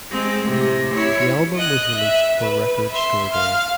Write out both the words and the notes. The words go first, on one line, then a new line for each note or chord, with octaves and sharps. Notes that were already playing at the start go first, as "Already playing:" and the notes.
The album was released for Record Store Day.
G#3 C4
A2 C3
E4 C#5
D#5 F#6
E5
B4
E5 C6
F5 F6